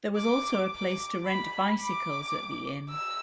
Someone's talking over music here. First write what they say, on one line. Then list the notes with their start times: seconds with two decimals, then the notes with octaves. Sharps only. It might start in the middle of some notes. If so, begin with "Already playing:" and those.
There was also a place to rent bicycles at the inn.
0.17 D6
0.72 D6
1.26 B5
1.81 D6
2.90 E6